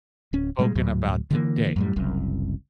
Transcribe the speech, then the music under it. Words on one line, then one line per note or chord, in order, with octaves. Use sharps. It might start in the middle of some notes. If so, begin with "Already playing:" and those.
spoken about today,
D1 C#4
A#2 G3 G#3
D2 A2 F#3
D3 E3 A#3
F#2 A2 G3
F#1 C2 F#2